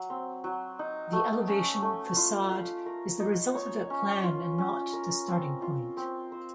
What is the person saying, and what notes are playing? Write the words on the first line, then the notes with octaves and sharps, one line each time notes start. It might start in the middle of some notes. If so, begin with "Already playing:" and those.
The elevation, facade, is the result of that plan and not the starting point...
Already playing: F#3
C4
F#3
D#4
A3
C#4
A3
F4
F5
A#4
D#4
C#5
C#4
F4
C#4
A#4
C4
F4
C4
C5